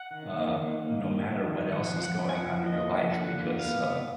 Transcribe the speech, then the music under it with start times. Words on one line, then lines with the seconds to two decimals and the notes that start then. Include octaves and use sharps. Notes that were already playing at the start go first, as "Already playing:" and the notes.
uh, no matter what else is going on in your life because, uh,
Already playing: F#5
0.11 D#3
0.33 A#3
0.57 D#3
0.81 A#3
1.04 A#3
1.26 D#3
1.50 D#3
1.72 F3 F#5
1.96 F3
2.04 F#5
2.19 B3
2.29 G#5
2.35 F#5
2.42 F3
2.66 A#3 D#5
2.89 F3
3.12 D3 F#5
3.36 A#3
3.59 B3 F5
3.82 B3